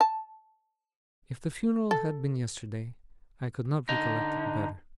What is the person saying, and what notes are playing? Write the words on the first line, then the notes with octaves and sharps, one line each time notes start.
If the funeral had been yesterday, I could not recollect it better.
A5
A4
D3 D#4